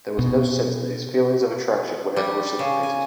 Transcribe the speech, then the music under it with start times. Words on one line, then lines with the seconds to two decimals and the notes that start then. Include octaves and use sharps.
There was no sense that his feelings of attraction were ever reciprocated.
0.19 B2
2.16 G3
2.59 C#3
2.83 G#5